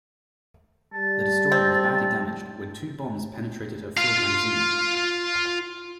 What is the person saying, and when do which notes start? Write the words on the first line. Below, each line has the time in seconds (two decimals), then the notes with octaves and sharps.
The destroyer was badly damaged when two bombs penetrated her forward magazine.
0.94 G3 A5
1.52 C4
3.97 F4 F5